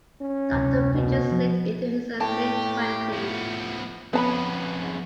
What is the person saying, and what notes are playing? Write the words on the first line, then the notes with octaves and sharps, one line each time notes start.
Doctor Peaches lived into his mid-twenties.
C#4
D2 C3
B2
F3
A2 G4 A5
F3 B3
F2 B3 C#4 A5 B5
G#2